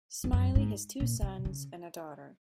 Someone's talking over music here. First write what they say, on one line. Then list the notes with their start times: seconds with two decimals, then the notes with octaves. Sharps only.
Smiley has two sons and a daughter.
0.24 F2
0.33 F#2
0.55 G#2
1.00 A#2
1.22 C3
1.45 C#3